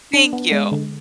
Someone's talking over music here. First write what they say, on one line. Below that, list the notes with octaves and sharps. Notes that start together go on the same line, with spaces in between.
Thank you.
D4
B3
G#3
D3